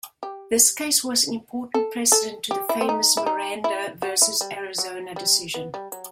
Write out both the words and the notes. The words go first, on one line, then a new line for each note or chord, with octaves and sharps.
This case was an important precedent to the famous "Miranda versus Arizona" decision.
G4
A4
A4
G4
E4
C4
D#4
E4
D#4
E4
F#4
E4
G3
F#3
G3
B3
G3
F#3